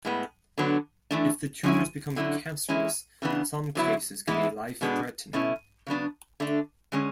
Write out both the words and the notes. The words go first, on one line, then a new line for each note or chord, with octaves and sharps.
If the tumors become cancerous, some cases can be life-threatening.
A2 G#3 B3
D3 F#3 B3 D4
E3 A3 D4
D3 G#3 C#4 E4
D3 F#3 C#4 E4
E3 G#3 C#4 E4
C#3 E3 B3 D4
D3 F#3 B3 E4
E3 G#3 B3 E4
B2 G#3 B3 D4
B2 A3 C#4 E4
C#3 F#3 B3 D4
D3 A3 D4
D3 G#3 C#4